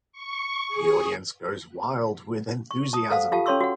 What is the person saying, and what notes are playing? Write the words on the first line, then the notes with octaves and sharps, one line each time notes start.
The audience goes wild with enthusiasm.
C#6
G#4
C#6
A5 D#6
A4 C5 F5 F#5
F4 G4 A4 F5 A5
C#4 A4 C#5 C6 C#6 E6
F#4 F#5